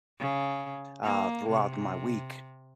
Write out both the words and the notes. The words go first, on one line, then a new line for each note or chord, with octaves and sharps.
uh, throughout my week.
C#3
A#3
C3